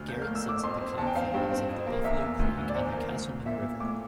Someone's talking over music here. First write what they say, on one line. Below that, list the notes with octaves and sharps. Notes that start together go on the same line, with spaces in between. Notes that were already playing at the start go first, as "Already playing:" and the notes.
Garrett sits at the confluence of the Buffalo Creek and the Casselman River.
Already playing: D2 F6
A#3 G6
F6
A2
E6
A2 D6
F2 C6
C4
E2 A5
G5
C4 F5
G2 G5
C4
F2
A#3
E2 E5
E2
D2
D2
D5
E2 C5
A#3
D2
D2
A#2 E5
A#2
A2 D6